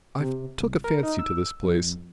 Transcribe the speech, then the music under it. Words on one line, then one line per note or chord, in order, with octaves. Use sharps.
I've took a fancy to this place.
C3
C2
A#4
D#4
E6
F2